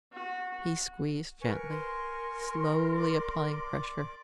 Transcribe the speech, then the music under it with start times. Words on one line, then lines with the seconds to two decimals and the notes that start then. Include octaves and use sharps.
He squeezed gently, slowly applying pressure.
0.13 F#4
1.42 A#4 B4 G#5 C#6
1.69 C6
2.97 D5 D6